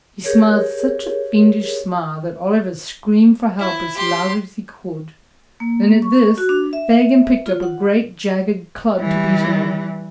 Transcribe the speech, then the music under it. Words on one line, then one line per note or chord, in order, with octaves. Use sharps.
He smiled such a fiendish smile that Oliver screamed for help as loud as he could, and at this Fagin picked up a great jagged club to beat him with.
G4 G#4 A#4 C#5
E4
G4 C6
A#3
C#6
F#4
D4
E5
F4
F#5
E3 G3